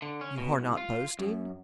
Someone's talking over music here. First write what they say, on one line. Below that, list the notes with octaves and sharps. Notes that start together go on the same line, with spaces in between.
"You are not boasting?"
D3
C#4
B2
C2
F4
F#2